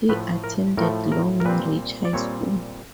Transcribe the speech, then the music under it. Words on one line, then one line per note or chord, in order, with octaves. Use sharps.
He attended Long Reach High School.
A2 F3 A3 B4
A#4
A2 F3 A3 A#4
A#4
A#4
A#2 G3 C4 B4
D5
A#2 G3 C4 C#5